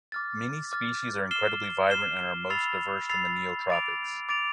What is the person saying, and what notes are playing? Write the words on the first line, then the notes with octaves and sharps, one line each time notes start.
Many species are incredibly vibrant and are most diverse in the neotropics.
D6 F6 A6
D6 F6 A6
F6 C7 E7 G7
F6 C7 E7 G7
B5 E6 A6 C7 F7
B5 E6 A6 C7 F7
D6 A6 D7 F7
D6 A6 D7 F7